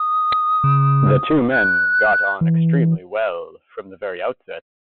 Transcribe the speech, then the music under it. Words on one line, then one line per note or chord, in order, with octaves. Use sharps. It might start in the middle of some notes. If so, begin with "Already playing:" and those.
The two men got on extremely well from the very outset.
Already playing: D#6
C#3
F#6
E3